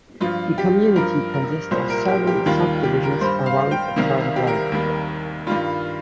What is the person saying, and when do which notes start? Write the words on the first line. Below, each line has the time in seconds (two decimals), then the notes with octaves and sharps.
The community consists of several subdivisions around an private lake.
0.21 G2 F3 F4
0.58 G4
0.96 G2 F3 A#4
1.34 A#4
1.71 C2 A#2 G3 C5
1.90 A#4
2.08 G4
2.27 G4
2.46 D#2 D#3 G3 F4
2.83 G4
3.03 A#4
3.21 G2 G3 C5
3.46 F5
3.71 G5
3.96 C2 C3 D#3 F5
4.22 F5
4.36 G4
4.47 A#4
4.72 D#2 D#3 G3
5.47 G2 D#3 G3 F4